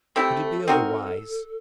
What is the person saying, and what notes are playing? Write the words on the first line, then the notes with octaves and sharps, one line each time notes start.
Could it be otherwise?
A3 C4 E4 G4 A4
C4 D#4 F#4 A#4